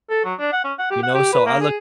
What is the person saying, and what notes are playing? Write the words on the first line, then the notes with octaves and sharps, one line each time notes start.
you know, so I look
A4
F#3
D4
F#5
C#4
F#5
G4
F#5
G4
B4
A#3
G#4